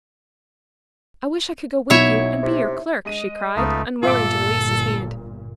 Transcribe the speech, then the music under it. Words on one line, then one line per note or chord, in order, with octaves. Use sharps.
"I wish I could go with you and be your clerk," she cried, unwilling to release his hand.
B1 F#3 E4 C#5 E5
C3
G#3 D#5 D#7
C#2 A3 B3 D#4 F4
G1 A#2 F4 A4 E5 D6